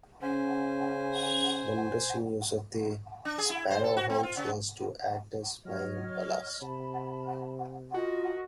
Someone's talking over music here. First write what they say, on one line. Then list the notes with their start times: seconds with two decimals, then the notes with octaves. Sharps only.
One interesting use of the Sparrowhawks was to act as 'flying ballast'.
0.22 C#3 C#4 C5 G#5
3.25 D4
3.38 G#4
3.50 E4
3.70 C5
3.84 A4
3.97 F#4
4.10 C4
4.23 F4
4.37 C#3
5.65 F#3 C#5 D#5 F6
6.62 C3 A5 B5
7.94 F4 F#4 A#4 D#5 C#6